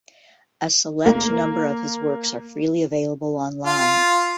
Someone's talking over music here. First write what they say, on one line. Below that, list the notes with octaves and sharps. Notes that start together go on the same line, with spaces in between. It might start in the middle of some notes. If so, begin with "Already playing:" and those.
A select number of his works are freely available online.
A#3
F4